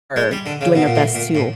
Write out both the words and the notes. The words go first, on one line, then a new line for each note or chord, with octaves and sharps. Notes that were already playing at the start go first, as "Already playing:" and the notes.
are doing their best to
G#3
G3
D3
C#3
B2
A#2
A2
A#2
A2